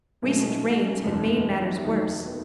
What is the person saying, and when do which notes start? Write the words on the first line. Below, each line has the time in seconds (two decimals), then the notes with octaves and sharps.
Recent rains had made matters worse.
0.22 B1 B2 A3 C#4
0.35 C#4
0.42 D#4
0.84 C#4
1.04 F#1 E2 B2 G#3 D#4
1.30 E4
1.58 E4
1.84 D#2 D#3 F#3 A3 D#4
2.26 B3